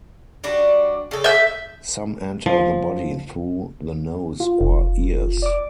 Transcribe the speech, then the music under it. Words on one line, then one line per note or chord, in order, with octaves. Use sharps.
Some enter the body through the nose or ears.
G3 D4 F#4
C#3 A4
E5 G6
F3
F4
F1
D5 D6